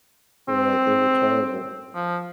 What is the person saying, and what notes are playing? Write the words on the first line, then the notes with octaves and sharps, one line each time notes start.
Right. They were terrible.
C4
F3